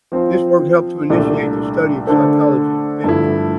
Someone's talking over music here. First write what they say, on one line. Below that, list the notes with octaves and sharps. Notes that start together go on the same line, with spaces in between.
This work helped initiate the study of phycology in Finland.
F3 C4 F4 C5
C2 A#2 A3 D4
D3 A3 D4 A4 C5
G2 D3 F3 A3 E4